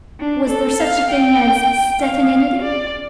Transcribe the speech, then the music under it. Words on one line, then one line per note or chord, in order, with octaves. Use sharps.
Was there such a thing as Stettininity?
D4
A4
F5
G5
F5
D5